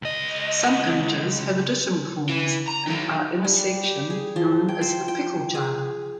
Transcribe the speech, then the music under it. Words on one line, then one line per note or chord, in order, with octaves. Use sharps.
Some images have additional forms and are in a section known as the "Picklejar".
C#2 D#5
E3
A#5
F#3 D#4
G3
G4
G#4
F3
G5
C5
G5
G#4